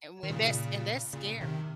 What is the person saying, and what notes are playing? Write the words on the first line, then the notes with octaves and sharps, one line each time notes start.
and when that's and that's scary.
D#3
A#2 C#3
A#2 C#3
C3 D#3